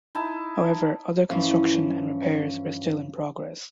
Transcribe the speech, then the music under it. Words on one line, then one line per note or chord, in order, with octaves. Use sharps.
However, other construction and repairs were still in progress.
D#4 E4 A5
G2 E3 F3 C#4 F5